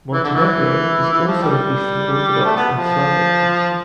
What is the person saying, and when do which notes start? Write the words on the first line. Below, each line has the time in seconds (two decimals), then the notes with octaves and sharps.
Montenegro is also an Eastern Orthodox and Slavic country.
0.13 E3
0.24 D3
0.35 E3
1.13 E3
1.27 F3
1.41 G3
2.45 A3
2.56 B3
2.78 F3